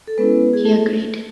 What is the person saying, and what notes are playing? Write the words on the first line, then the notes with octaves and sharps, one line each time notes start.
He agreed.
A4
G#3 B3 C#4 E4 B4
G#4
A3 A4